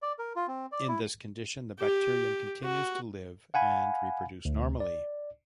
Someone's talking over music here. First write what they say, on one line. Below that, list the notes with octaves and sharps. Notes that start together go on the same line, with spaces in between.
In this condition the bacterium continues to live and reproduce normally.
D5
A#4
F4
C4
D5
E4
G4
F#4
F5 F#5 G#5 B5
D2
D5